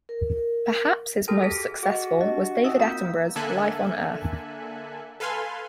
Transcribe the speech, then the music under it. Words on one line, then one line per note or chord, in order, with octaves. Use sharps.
Perhaps his most successful was David Attenborough's "Life on Earth".
A#4
F#4 G4 A4 A5 F6 A#6
G#4 A5 B6
F#4 G#4 D#5
D4 G4 D#5
C4 D#4 E5 D#6 E6
A#3 F4 F5 A#5 G6
D3 A#3 A4 E5 G#5 F#6
A4 B4 F5 G#5 C6